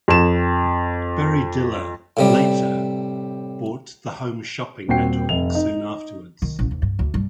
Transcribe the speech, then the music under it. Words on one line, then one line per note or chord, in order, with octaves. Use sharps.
Barry Diller later bought the Home Shopping Network soon afterwards.
F2 E7
A2 C3 G3
D#1 A#2 C4 F#4 G5 C7
F1 F7
D#4
D#3
A1
D#2
G2
D2
G2